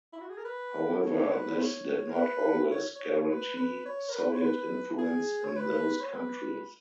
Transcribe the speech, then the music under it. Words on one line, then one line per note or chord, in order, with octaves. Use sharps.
However, this did not always guarantee Soviet influence in those countries.
E4
F#4
G#4
A#4
B4
C#5
B4
C#5
A#4
B4
C#5
C#5
B4
B4
C#5
A#4
B4
C#5
B4
G#4
C#5
B4
C#5
B4